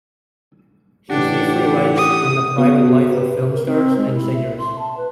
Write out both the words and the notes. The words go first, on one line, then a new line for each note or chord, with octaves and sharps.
He chiefly writes on the private life of film stars and singers.
A1 D4 G4 F#5
D#6
B3 F#4
G4 B4
A#4
C4
G#3
E4
E5
C6
A5
B4